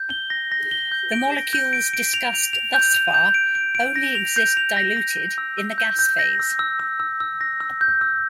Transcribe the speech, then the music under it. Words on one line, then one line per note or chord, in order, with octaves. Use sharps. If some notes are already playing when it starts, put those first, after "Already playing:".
The molecules discussed thus far only exist diluted in the gas phase.
Already playing: G6
G7
A#6
A#6
G7
G6
D7
A#6
G6
D7
D7
F7
F7
F7
G6
F7
G6
D7
D7
D7
A#6
F7
G6
F7
A#6
A#6
G6
E6
E6
G6
G6
A#6
E6
E6
E6
E6
E6
A#6
E6
G6
E6